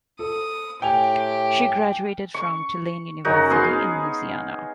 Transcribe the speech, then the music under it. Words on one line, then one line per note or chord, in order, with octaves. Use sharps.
She graduated from Tulane University in Louisiana.
A4 D#6
A2 G4 G5 G#5 F7
C#6
F#2 C#3 D#4 F#4
B3 G#4 F5 C6